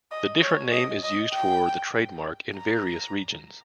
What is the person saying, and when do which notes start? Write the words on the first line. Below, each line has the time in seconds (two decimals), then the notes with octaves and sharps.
The different name is used for the trademark in various regions.
0.11 D#5
0.42 C#5
0.72 D#5
1.03 D#5
1.33 G5
2.56 A#5